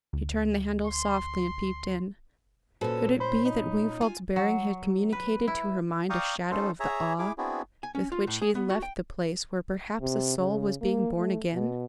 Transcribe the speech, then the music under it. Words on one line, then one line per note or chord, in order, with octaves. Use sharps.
She turned the handle softly and peeped in: could it be that Wingfold's bearing had communicated to her mind a shadow of the awe with which he had left the place where perhaps a soul was being born again?
D2
C6
A#2 C#4 F#4 A4 B4 C5
C5 B5
D#4
F4 G#5
F#3
B4
E4
D5 F5 G5 A#5 C#6 D#6
C#4 D#4 F4 A4 C5
G#4 C#5 E5 A#5
E4 G#4 D6
B3 C4 D4 E4 F#4 G#4
G#5
C#4
F4
A2
G#4
B3
F#4
G5
C3
C#3
A#3
A3
B2